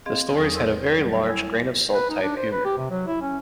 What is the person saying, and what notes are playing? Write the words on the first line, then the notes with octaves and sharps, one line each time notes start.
The stories had a very large grain-of-salt-type humor.
C4 G#4 D#5 F5
E2 F#3 A4 C#6 D#6 A6
A4 B4 C6 E6
F#3 G3
E4 G#5 E6 G#6
B4
D#4
D4
C5
B4
G4
C3
F#3
E4
C#4